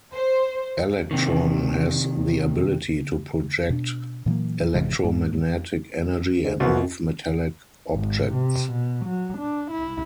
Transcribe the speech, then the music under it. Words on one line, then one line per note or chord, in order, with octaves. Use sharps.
Electron has the ability to project electromagnetic energy and move metallic objects.
C5
C3 D#3
B2 D4
A#2 E3 F#3 A#3
G#1 C3 E3 G#3
G#2
G#2
C2 A#3 B3 F#4
G#1
C3
B2
F#3
D4
E4